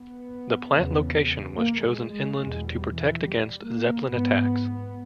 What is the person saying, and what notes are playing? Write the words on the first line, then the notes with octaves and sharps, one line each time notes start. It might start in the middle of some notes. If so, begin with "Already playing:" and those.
The plant location was chosen inland to protect against Zeppelin attacks.
Already playing: B3
E2 C#3
A#3
G#3
G#3
E2 B2 G#3
G3
E3
G3
A#3
G#2 B3